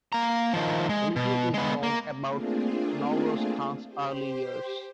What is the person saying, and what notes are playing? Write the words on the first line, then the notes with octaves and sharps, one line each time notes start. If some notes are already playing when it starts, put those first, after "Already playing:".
Little is known about Nowroz Khan's early years.
A#3 A#5
D#3 F3
G#3
B2
G#3 B3
A#3
A3 A#3 C4 D4 F4 G#4
G4 C5